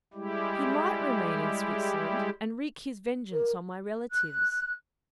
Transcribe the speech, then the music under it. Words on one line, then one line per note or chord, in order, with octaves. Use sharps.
He might remain in Switzerland and wreak his vengeance on my relatives.
G3 G#3 E4 G4
A#4
F#6